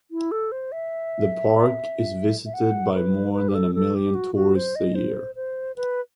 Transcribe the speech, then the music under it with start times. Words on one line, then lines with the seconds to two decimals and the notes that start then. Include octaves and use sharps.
The Park is visited by more than a million tourists a year.
0.11 E4
0.32 A4
0.52 C5
0.72 E5
2.46 E5
2.54 F#5
2.93 B4
3.33 B4
3.49 G4
3.55 A4
3.75 A4
3.95 G4
4.15 F#4
4.35 F#4
4.55 C5
4.76 D#5
4.95 C5
5.36 C5
5.76 B4